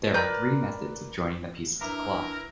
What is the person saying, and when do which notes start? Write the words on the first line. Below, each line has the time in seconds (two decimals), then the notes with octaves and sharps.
There are three methods of joining the pieces of cloth.
0.14 A#4 B4 D5 G6
1.81 D4 E4 A#4 B4 E5 A#5 D6